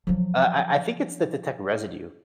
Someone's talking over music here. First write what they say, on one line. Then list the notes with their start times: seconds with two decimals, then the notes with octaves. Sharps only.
Uh, I I think it's to detect residue,
0.07 F3 F#3